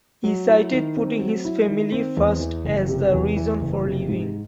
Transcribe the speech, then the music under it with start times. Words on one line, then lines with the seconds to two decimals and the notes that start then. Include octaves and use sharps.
He cited putting his family first as the reason for leaving.
0.24 F#3
0.49 E4
0.72 D#3
0.97 C4
1.20 F#3
1.45 E4
1.68 D#3
1.92 C4
2.17 E2
2.40 E3
2.65 F#1
2.88 C3
3.12 E2
3.36 E3
3.61 F#1
3.85 C3
4.08 G#2